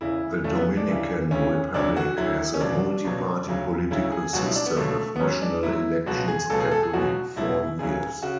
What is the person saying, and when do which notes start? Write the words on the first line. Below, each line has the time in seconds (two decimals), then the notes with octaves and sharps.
The Dominican Republic has a multi-party political system with national elections every four years.
0.01 E2 C#3 E3 E4
0.44 E2 C#3 E3 A3
0.55 B3
0.77 D4
0.88 D2 C#3 E3
1.31 D2 C#3 E3 C#4
1.74 D2 D3 F#3 D4
1.97 F#4
2.17 D2 D3 F#3 E4
2.54 C#4
2.60 C#2 B2 F#3 D4
3.04 C#2 B2 F#3
3.47 D2 C#3 F#3
3.91 D2 C#3 F#3 E4
4.12 G#4
4.33 C#2 B2 F#3 F#4
4.45 E4
4.56 D4
4.66 B3
4.76 C#2 B2 F#3 A3
5.16 B3
5.20 G#2 F#3 C#4
5.42 D4
5.63 G#2 F#3 E4
6.06 C#2 B2 F#3 F#4
6.28 G#4
6.50 C#2 B2 F#3 A4
6.60 G#4
6.71 A4
6.83 G#4
6.93 C#2 B2 F#3 F#4
7.36 C#2 B2 F#3 E4
7.79 D2 C#3 F#3 G#4
8.23 C#3 F#4